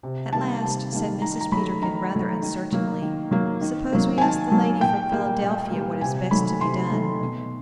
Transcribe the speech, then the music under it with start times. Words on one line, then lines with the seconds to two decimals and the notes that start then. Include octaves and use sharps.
At last said Mrs. Peterkin, rather uncertainly, "Suppose we ask the lady from Philadelphia what is best to be done."
0.03 C3
0.32 D#3 G3 A#3 A5
0.63 C3
0.93 D#3 G3 A#3
1.22 D#3 A#5
1.41 A#5
1.52 F#3 A3 B5
1.82 D#3 A#5
2.13 F#3 A3
2.42 D#3
2.72 F#3 A#3
3.02 D#3
3.31 F#3 A#3
3.61 D#3
3.92 F#3 A#3
4.18 G#5
4.21 D#3 A5
4.52 F#3 A#3
4.81 A#2 G5
5.11 G3 A#3
5.42 A#2
5.71 G3 A#3
6.01 C3 G#5
6.31 D#3 F#3 A3 B5
6.61 C3 C6
6.92 D#3 F#3 A3
7.20 B2